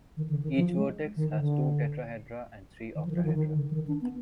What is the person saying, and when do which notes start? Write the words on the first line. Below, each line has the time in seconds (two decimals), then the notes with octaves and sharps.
Each vertex has two tetrahedra and three octahedra.
0.17 D#3
0.30 D3
0.43 D#3
0.56 F3
0.76 G#3
1.16 D#3
1.36 D3
2.95 D#3
3.05 F3
3.11 D#3
3.15 F3
3.25 D#3
3.35 D#3
3.55 D3
3.71 F3
3.74 D#3
3.88 D4
4.01 B3